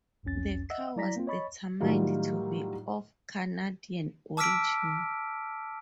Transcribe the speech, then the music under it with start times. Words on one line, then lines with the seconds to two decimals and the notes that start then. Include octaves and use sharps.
The cow was determined to be of Canadian origin.
0.23 G1 C2 F2 C#4 A6
0.70 D#5 E5 F#5 E6
0.96 F#3 E4 D5 A#5 A#6 B6
1.16 A#3 C4 F4
1.27 C#5 D#5 B5 C#6 A6
1.80 A2 D#3 F#3 G3 F4 F5
4.37 A5 D6 E6 F6 B6 D7